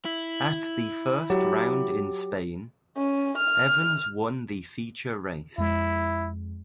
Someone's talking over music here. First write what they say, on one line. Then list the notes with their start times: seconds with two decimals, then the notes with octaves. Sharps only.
At the first round in Spain, Evans won the feature race.
0.05 E4
1.30 F#3 G4
2.96 C#4
3.37 F6
5.58 F2 G#3 E4